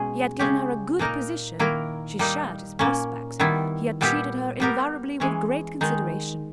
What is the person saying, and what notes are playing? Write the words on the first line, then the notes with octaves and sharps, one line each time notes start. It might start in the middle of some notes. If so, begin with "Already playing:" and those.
He had given her a good position--she shared his prospects--he had treated her invariably with great consideration.
Already playing: B2 G#3 C#4 G#4
C#3 G#3 C#4 G4
A#2 A#3 D#4 A#4
D#3 A#3 E4 A#4
G3 A#3 D#4
A#2 A#3 C#4
D#3 G3 B3 E4
A#2 G3 B3 E4 G4
G3 B3 G4 A#4
E3 G#3 C#4
D#3 G#3 D#4